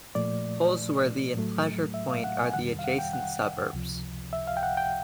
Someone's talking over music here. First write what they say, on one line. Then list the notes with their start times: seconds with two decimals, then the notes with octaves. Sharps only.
Holsworthy and Pleasure Point are the adjacent suburbs.
0.15 A#2 F3 A3 D5
1.34 A2 F#3 A3
1.94 E5
2.08 F5
2.24 F#5
2.39 G#5
2.54 F2 C3 D#3 G3 F#5
2.79 F5
2.84 F#5
2.99 G5
3.13 F#5
3.73 C#2 C3 F3
4.33 E5
4.47 F5
4.57 G5
4.63 F#5
4.77 G5